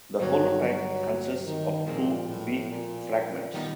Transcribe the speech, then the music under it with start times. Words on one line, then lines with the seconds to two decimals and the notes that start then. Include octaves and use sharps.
The holotype consists of two beak fragments.
0.19 G2 D3 F#3 G3 A#3 D#4
0.62 F#3
1.44 D#3
1.87 A#2 F3 G#3 C4
2.28 A2
2.69 A#2
3.54 D#3 G3 B3 D#4